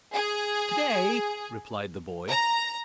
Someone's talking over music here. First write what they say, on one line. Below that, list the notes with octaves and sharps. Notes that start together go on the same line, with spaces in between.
"To-day!" replied the boy.
G#4
A#5